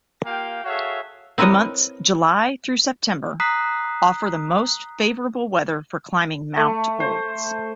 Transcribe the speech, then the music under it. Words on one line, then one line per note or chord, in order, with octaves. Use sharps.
The months July through September offer the most favorable weather for climbing Mount Olds.
A#3 F4 G4 F5 G5
F#4 G#4 A4 C#5 E5 F5
C4 E4 A#4 B4 C#5 D#5
A#5 D#6 F#6 B6 C7
A3
C5